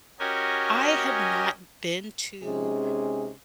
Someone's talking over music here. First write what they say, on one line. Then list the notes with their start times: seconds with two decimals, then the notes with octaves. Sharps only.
I have not been to
0.19 C#4 F#4 G4 A#4 D#5 G#5
2.43 C3 G#3 C#4 D#4 G#4